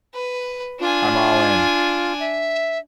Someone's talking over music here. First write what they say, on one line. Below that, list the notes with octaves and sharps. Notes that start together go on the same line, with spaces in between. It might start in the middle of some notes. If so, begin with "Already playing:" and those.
I'm all in.
B4
D4 F4 G#5
E5